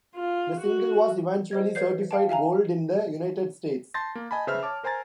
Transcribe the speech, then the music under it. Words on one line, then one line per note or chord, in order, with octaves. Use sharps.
The single was eventually certified gold in the United States.
F4
F#4
C5 D#5 G#6
B4 C#5 G6 C7
F5 G5 A5
E5 F5 G#5 A#5
A5 C6 G6 A6 A#6
A#3
D#5 G#5 A5 B5
C#3 B4 C5 E5 E6 F6
C#5 A5 D6
A#4 C5 G#5 A#5 A6